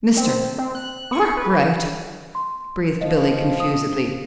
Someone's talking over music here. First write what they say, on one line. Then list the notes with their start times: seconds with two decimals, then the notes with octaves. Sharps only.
"Mr.--Arkwright!" breathed Billy, confusedly.
0.17 C4
0.58 C4
0.75 F#6
1.12 C#6
1.37 B4
2.35 C6
3.01 F3 D#5
3.60 D#6